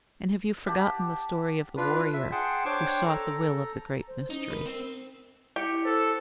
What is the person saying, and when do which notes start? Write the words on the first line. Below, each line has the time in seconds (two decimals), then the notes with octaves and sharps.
And have you forgotten the story of the warrior who sought the will of the Great Mystery?
0.66 G4 F#5 A5
1.77 D4 F4 B4
2.13 E5
2.32 G#4 F#5 G5 A5 C6
2.65 D4 C5 C#5 G5 C#6 D6
3.05 A4 A#5
4.08 C5
4.30 C#4 D#4
4.51 A#4 B4
4.66 C4
5.56 E4 G4 C#7
5.85 A4 C5